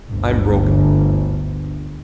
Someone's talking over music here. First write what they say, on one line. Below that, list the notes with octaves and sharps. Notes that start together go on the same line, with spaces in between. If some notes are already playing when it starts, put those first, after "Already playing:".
I'm broken.
G1 D2